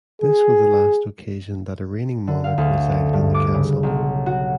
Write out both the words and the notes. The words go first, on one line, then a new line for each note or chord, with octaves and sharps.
This was the last occasion that a reigning monarch resided in the castle.
G#4
D3
F5
D2
G2
D6
C#3
B1
F#4